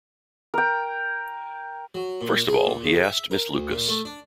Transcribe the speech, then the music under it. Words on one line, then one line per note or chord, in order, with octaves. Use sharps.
First of all, he asked Miss Lucas.
A#4 G5
F#3
A#2
G#4
A#2
C#3
E5
A#4
D2
A#2
A3
D4